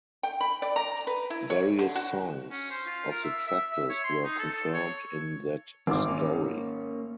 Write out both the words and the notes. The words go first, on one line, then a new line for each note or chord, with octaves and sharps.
Various songs of the tracklist were confirmed in that story.
G5
B5
D5
A#5
B4
E4
C#5
D3
F#4
C#4
C5
F4
A#4
E5
E5
E5
C#5
C6
D#4
A4
C#5
G#1 C4 D6
A#3 C#4